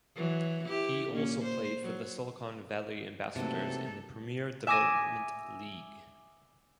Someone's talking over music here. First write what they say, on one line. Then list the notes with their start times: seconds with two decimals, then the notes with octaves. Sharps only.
He also played for the Silicon Valley Ambassadors in the Premier Development League.
0.16 E3 F#3
0.65 E4 G4
1.10 A#2 A#3 C#4
1.44 C5
1.83 F#3
3.36 C3 E3 F#3 A3 A#3 D#4 A4
4.67 E5 G#5 D6 D#6 A#6 D#7